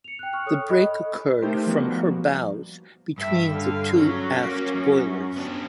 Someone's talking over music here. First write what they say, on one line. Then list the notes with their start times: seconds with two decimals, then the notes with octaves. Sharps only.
The break occurred from her bows, between the two aft boilers.
0.04 C#7 F7
0.19 G5 F#6
0.33 C#6 F6 F#6
0.46 A4 C#5 G5 D#6 F#6
0.69 A4 D#5 B5 F#6
1.42 A3 D#4 G4 A#4 C5
1.67 F3 G3 A#3 B3 F#4
3.18 G2 E5
3.52 D3 F5
3.96 F#3 C#4 F#4
4.42 A#3
4.75 F#2
5.36 B3 D4